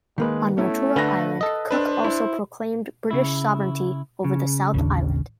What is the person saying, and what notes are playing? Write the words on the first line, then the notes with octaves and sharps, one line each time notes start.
On Motuara Island, Cook also proclaimed British sovereignty over the South Island.
D#3 G#3 A#3 B4
A3 B3 C#4 E4
D3 B4 F#5 A#6
A4 D#5
D4 B4 C5
E4
C#3 E4
C#3
A1 D#2 D4